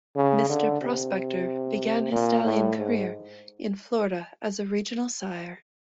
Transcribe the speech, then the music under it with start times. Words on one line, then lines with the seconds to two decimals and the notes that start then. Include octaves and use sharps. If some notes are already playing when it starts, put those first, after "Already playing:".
Mr. Prospector began his stallion career in Florida as a regional sire.
0.16 C#3
0.49 D3
0.82 C3
2.12 A#2
2.44 A2
2.78 G#2